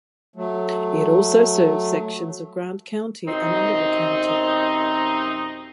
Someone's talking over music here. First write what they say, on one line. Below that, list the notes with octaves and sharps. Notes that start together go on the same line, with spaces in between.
It also serves sections of Grant County and Oliver County.
F#3 A3
F#2 C3 C4 D#4